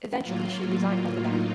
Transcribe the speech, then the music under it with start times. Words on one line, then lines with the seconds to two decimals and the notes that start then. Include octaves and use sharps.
Eventually she resigned from the band.
0.23 A2 F#3 A#3 F4
1.21 D#4